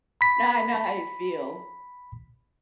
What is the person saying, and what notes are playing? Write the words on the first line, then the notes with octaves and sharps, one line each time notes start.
No, I know how you feel.
B5 B6